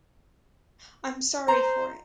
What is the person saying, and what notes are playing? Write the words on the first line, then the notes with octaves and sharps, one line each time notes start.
I’m sorry for it.
C5 A#5